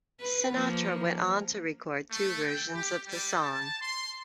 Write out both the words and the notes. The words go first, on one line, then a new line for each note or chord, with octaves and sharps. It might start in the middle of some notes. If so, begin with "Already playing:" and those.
Sinatra went on to record two versions of the song.
B4
F3 A#3
A3
G5
G4
G3
A5
C6